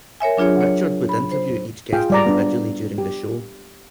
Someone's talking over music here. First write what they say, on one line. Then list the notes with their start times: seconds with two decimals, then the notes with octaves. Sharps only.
Richard would interview each guest individually during the show.
0.20 A#4 C#5 E5 G#5
0.37 F#3 D4 F4 G#4 C#5
0.57 C#5 F#5
1.09 B5
1.31 C5
1.93 F4 G#4 F5 G5
2.10 G3 D5 A#5
2.26 B3 D4
2.98 G4